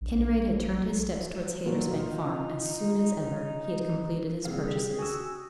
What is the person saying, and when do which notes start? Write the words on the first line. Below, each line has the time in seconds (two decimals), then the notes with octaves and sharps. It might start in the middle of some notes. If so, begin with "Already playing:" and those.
Kinraid had turned his steps towards Haytersbank Farm as soon as ever he had completed his purchases.
0.01 A#1
1.66 A#2 F#3
1.91 D#4 F4
4.45 C3 G3 A#3 C4 G#4 F5
4.64 D#4 G4
4.99 F#4 G#5 D#6 E6